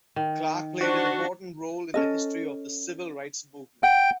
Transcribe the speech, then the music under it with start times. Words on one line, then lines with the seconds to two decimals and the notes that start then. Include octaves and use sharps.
Clark played an important role in the history of the Civil Rights Movement.
0.16 D#3
0.81 D4 F#4 C5
1.94 C#4 A4 D#5
3.83 F#5 G5